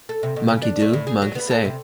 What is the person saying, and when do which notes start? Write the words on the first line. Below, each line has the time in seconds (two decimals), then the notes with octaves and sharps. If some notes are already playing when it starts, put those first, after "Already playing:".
Monkey do, monkey say.
0.09 A4
0.23 C3
0.36 B2
0.48 C#3
0.62 D4
0.82 A3
0.93 A2
1.07 G#4
1.22 F#3
1.35 B3
1.51 A4
1.65 C3